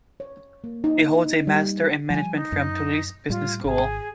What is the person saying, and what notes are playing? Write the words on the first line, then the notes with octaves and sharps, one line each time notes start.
He holds a Master in management from Toulouse Business School.
C#5
A#3
D#4
G3
F3 G3 G#5
D#4
F#2
A2 G3 F4
G#1 G#4